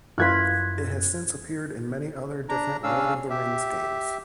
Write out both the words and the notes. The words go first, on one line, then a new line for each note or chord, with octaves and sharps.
It has since appeared in many other different "Lord of the Rings" games.
F#2 E4 F4 B4 F#6 G#6 B6
D4 A#5
C#3 C#4 D4 F5 E6
G4 E5